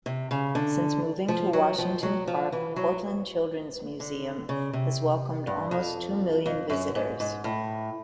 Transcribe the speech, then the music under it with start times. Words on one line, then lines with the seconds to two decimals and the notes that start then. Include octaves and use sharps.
Since moving to Washington Park, Portland Children's Museum has welcomed almost two million visitors.
0.06 C3
0.31 C#3
0.55 D3
1.28 F3
1.53 F#3
1.78 F3
2.03 F#3
2.27 F3
2.52 E3
2.76 F#3
4.00 D3
4.49 C#3
4.73 C3
5.47 G2
5.71 F2
6.46 F2
6.70 F#2
6.95 G#2
7.20 G#2
7.44 A2